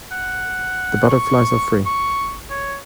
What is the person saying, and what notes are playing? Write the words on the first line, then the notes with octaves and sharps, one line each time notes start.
The butterflies are free.
F#5
C#6
C#6
C#5